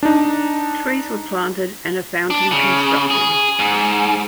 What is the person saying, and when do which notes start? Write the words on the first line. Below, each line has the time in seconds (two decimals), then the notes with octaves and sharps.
Trees were planted, and a fountain constructed.
0.03 D4 D#4
2.30 D4
2.52 C#3
3.10 G#4
3.59 G#2